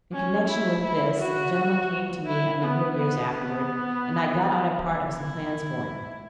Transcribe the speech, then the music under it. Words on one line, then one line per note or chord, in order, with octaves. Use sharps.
In connection with this a gentleman came to me a number of years afterward, and I got out a part of some plans for him.
C#4
E4
E4
F#4
E4
B3
B3
B3
E4